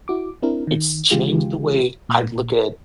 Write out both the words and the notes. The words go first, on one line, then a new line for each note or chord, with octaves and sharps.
it's changed the way I'd look at
E4 F#4 D6
C4 D4 E4 A#4
D#3
C#3 E3 G#3 F4 G4 G#4
A#2